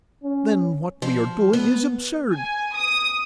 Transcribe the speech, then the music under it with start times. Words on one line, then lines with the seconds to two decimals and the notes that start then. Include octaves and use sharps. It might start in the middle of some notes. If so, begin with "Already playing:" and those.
"Then what we are doing is absurd!"
0.23 C#4
1.02 F3
1.53 B3
2.33 G#5
2.73 D#6